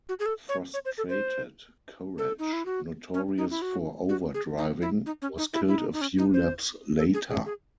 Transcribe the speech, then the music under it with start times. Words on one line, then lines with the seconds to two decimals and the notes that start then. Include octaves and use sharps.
Frustrated, Courage, notorious for overdriving, was killed a few laps later.
0.09 F#4
0.19 G#4
0.26 A4
0.49 C#5
0.74 C#5
0.85 C5
0.98 A4
1.09 C5
2.18 A4
2.39 D#4
2.53 E4
2.65 F#4
3.14 C#4
3.38 D#4
3.51 E4
3.62 F#4
4.09 F#4
4.34 G#4
4.58 D#4
4.82 E4
5.06 D#4
5.22 C#4
5.38 D#4
5.53 E4
5.68 E4
5.78 D#4
5.93 D#4
6.01 C#4
6.18 D#4
6.34 C5
6.98 A4
7.14 G#4
7.30 G#4
7.46 G#4